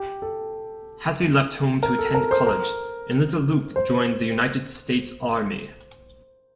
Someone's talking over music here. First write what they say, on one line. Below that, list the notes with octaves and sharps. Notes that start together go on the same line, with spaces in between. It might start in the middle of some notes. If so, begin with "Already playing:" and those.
Hassie left home to attend college, and Little Luke joined the United States Army.
Already playing: G4
A4
A#4
A4
A#4
C5
A#4
C5